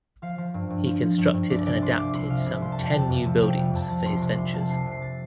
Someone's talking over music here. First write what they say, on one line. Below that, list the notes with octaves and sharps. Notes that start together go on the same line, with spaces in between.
He constructed and adapted some ten new buildings for his ventures.
F3 F5
F3
G2
G2
F3
F3
G2
G2
C2 D5
C3 D5
C2 C6
F3 D6
C2 C6
C3 F5
C2
F3 C6
A5
F2 G5
C3 A5
F2
F3
F2 G5
C3
F2 A5
F3
C2 C6
C3 C6
C2 C6
F3 A5
C2 C7
C3
C7
A6